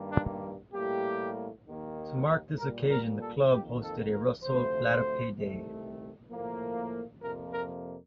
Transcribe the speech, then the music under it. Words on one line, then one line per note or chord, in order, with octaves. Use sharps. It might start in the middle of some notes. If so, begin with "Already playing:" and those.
To mark this occasion the club hosted a 'Russell Latapy Day'.
Already playing: G2 D#3 G3 A#3
D4
A2 G3 A#3 G4
D#2 D#3 A#3
A#2 G3 A#3 A#4
A#4
A4
F2 D#3 A#3 G4
A4
A#4
D2 C3 F3 A3 C5
C2 C3 D#3 A3
A2 F3 A#3
F2 C3 F3 A#3 A#4
A#4